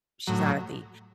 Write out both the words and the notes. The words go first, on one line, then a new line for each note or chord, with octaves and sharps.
she's not a thief.
A2 F#3